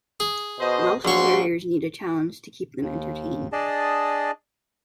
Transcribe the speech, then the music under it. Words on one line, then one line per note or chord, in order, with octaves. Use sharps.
Welsh Terriers need a challenge to keep them entertained.
G#4
B2 C5 D#5
A#1 G#2 F#4 C#5 C6
D#2
D4 G#4 D5 D#5 A5